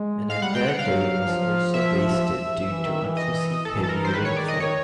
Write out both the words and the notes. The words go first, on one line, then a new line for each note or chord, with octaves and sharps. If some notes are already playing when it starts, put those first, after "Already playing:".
An entire day was also wasted due to unforeseen heavy rainfall.
Already playing: G#3
G#3 F5
G3 F#5
G#3 G5
F#5
F#3 F5
F3
E5
E3
D#3
E3
D#5
E3 A4
A4
A#4
C5
D#3 B4
C#5
D5
D#5
D#3 C#5